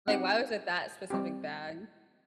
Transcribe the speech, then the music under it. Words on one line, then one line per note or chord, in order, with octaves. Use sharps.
Like, why was it that specific bag?
C4 D#4 G4 F#5
G3 C4 G4